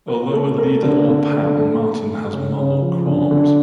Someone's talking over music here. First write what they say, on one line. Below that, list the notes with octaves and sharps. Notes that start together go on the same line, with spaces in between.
Although a leader or Pan, Martin has moral qualms.
A#4
A3
A#4
D3
D3
A3
A3
A3
A3
C#3
C#3
F3
D3
D3